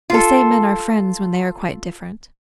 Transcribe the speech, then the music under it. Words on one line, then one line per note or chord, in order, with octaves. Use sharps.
They say men are friends when they are quite different.
F4 A4